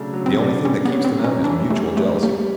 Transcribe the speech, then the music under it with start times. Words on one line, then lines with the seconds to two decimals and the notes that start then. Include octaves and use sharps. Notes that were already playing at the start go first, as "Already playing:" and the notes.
The only thing that keeps them out is mutual jealousy.
Already playing: C#3 F#3 A3 D4
0.13 F#3
0.26 C4
0.39 D4
0.65 G3 C#4
0.85 B3
0.91 C#4
1.05 C4
1.18 A#3
1.24 C#4
1.44 E3 D4
1.70 G3 A3
1.97 A3 C#4
2.23 G3 A#3